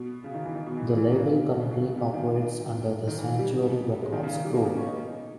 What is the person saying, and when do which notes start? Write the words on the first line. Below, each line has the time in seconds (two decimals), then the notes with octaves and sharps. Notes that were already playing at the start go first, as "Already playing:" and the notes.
The label currently operates under the Sanctuary Records Group.
Already playing: B2
0.24 C#3
0.34 D#3
0.45 E3
0.55 D#3
0.66 B2
0.77 E3
0.87 G#3
0.97 E3
1.08 D#3
1.19 C#3
1.34 B2
1.50 B2
1.61 C#3
1.71 B2
1.82 B2
1.98 C#3
2.13 D#3
3.07 D#3
3.18 E3
3.28 E3
3.39 G3
4.03 G#3
4.12 D#3
4.23 C#3
4.33 D#3
4.44 G3
4.54 A#3
4.65 B3
4.75 C#4
4.87 D#4